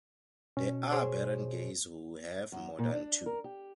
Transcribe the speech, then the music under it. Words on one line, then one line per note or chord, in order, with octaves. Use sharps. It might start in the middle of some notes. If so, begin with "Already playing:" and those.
There are barangays who have more than two.
B2 C#4
G#4 C5 C#5
F#2
A#2
D4
A#4
G4